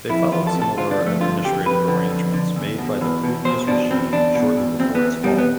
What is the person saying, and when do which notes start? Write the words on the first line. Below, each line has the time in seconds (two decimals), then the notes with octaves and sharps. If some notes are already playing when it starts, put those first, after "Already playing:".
They followed similar administrative arrangements made by the previous regime shortly before its fall.
0.09 F2 E4
0.32 F2 F4
0.47 A4
0.55 C3
0.62 A4
0.77 D3 F4
0.91 D4
1.00 F2
1.06 A3
1.21 D3 F4
1.44 F2 G4
1.66 F2 B4
1.88 D3
2.10 F2
2.34 D3
2.56 E2
2.78 B2
3.01 E2
3.23 B2
3.45 E2 C5
3.67 B2 D4
3.90 E2 C4
4.12 E2 D4
4.35 B2
4.57 E2
4.79 E2 C4
4.95 B3
5.02 E2
5.24 B2 G3
5.38 B3